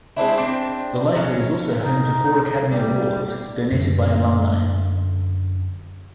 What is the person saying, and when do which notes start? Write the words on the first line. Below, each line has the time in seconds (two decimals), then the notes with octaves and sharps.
The library is also home to four Academy Awards, donated by alumni.
0.16 G#3 C4 D4 E4
0.37 C4 D4 G5
1.15 F#3 C#4
1.83 D#4
2.67 G3
3.71 F#2 D3